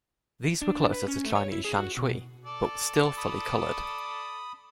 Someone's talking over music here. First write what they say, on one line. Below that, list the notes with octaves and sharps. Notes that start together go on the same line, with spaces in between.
These were closer to Chinese shan shui, but still fully coloured.
D4
B4
C#4
A3
C#5
E4
G#4
F#4
B2
A4 D5
B5 D#6